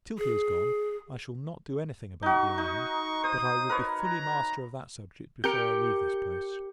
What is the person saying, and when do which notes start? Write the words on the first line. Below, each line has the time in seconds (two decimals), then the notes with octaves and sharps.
Till he is gone, I shall not do any thing about the island; but I will be fully master of that subject before I leave this place.
0.18 G#4
2.22 D#4 F#4 C#6
2.58 D#4
3.24 C5 D#6
3.69 A#4 B4 C#5
4.01 A#5
5.44 G4 A#4 G6 C#7